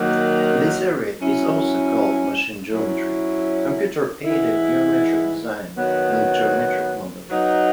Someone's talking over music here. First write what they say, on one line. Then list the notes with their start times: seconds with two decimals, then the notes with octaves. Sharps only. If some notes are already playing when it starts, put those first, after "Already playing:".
This area is also called "machine geometry", computer-aided geometric design, and geometric modelling.
Already playing: D#3 F#3 A#3
1.18 F#3 C#4 E4
2.72 F#3 C#4 E4
4.25 E3 G#3 B3 E4
5.78 D#3 F#3 B3
7.31 F#3 B3 D#4